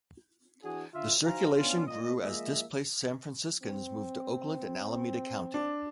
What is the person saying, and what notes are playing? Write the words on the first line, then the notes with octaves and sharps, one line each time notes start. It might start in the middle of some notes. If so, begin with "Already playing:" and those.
The circulation grew as displaced San Franciscans moved to Oakland and Alameda County.
E3 D4 F#4 G#4
D3 F4 E5
D#4 F#4 C5 F5 G#5 A#5
B3 C#4 D4 F4
A#2 D#5
F3 G#3 A#3 D#5 E5
C4
D4